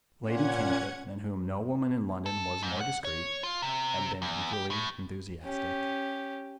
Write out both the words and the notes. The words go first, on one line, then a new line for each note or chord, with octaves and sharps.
Lady Cantrip, than whom no woman in London was more discreet, had been equally enthusiastic.
A#2 C#4 F#5 G#6
A4
G#2
F#5
C#5
F4
C3
E2
G4
A2
C#4 G4